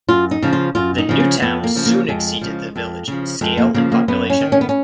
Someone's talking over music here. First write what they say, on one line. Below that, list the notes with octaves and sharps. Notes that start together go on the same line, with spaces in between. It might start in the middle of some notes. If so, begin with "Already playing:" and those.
The new town soon exceeded the village in scale and population.
F#2 F4
D#4
C#3 F3
F4
F#2 F4
D#4
C#3 F3
C#4
F2 B3
A#3
C#3 F3
A#3
F2 G#3
C#3 F3
F2
C#3 F3
F2 G#3
A#3
C#3 F3 A#3
A#3
F#2 B3
C#4
D#3
C#4
B3
C#4